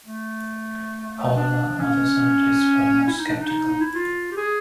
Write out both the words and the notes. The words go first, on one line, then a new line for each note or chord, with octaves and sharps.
However, other scientists were more skeptical.
A3
D4
C#4
E4
D#4
D4
D#4
D#4
E4
F4
G4
G#4